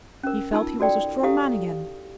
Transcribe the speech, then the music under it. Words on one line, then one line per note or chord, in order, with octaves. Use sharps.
He felt he was a strong man again.
C#4 A#4
D#4 F4 A5 E6
F#4 A4 D5 G5
E4 G4 A4 F5 D#6